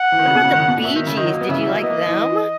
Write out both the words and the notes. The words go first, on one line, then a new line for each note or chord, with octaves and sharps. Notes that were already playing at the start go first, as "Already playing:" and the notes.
What about the Bee Gees? Did you like them?
Already playing: F#5
E3
D#3
C#3
B2
C#3
D#3
C#3
B2
A#2
B2 E5
D#3
C#3
D#3 D#5
F#3
A#3
B3
C#3 E5
E3
F#3
A#3
B3 D#5
A#3
E3